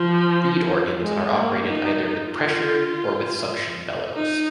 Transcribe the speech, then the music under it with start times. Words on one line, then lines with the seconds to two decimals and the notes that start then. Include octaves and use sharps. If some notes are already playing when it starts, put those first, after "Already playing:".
Reed organs are operated either with pressure or with suction bellows.
Already playing: F3
1.01 G#3
1.32 A#3
1.64 D#4
2.26 F4
4.14 D#4